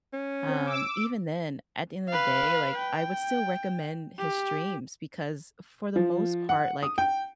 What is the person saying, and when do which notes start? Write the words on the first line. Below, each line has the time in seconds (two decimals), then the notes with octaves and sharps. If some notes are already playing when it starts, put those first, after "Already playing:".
um, even then, at the end of the day, like, I would still recommend his streams because for the most part, like,
0.13 C#4
0.48 C4
0.66 D6 E6
2.09 B4 F5
2.78 G5
4.19 G4
5.96 F3
6.49 F#5
6.83 D#6
6.98 G5